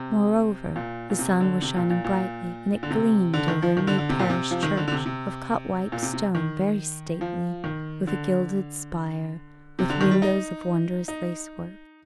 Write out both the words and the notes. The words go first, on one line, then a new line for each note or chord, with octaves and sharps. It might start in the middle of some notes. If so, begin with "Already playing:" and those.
Moreover, the sun was shining brightly, and it gleamed over a new parish church, of cut white stone, very stately, with a gilded spire, with windows of wondrous lacework.
Already playing: C3
A#2
A#2
C3
D3
C3
A#2
A#2
A#2
D3
C3
D3
D#3
F3
D#3
D3
D3
C3
A#2
C3
F3
D#3
D3
D3
C3
C3
A#2
C3
C3
D#3
F3
D#3
D3
C3
D3
D#3
G3
D#4
D#4